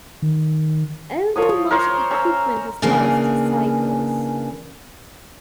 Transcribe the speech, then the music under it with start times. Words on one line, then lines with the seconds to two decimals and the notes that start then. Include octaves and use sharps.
Although much equipment was lost, cycles.
0.22 D#3
1.36 F3 C#5 D#6
1.71 A#4 C5 C#5 C6
2.11 C#4 C5 A#5 E6
2.82 C#3 E3 A#3 D4 G#4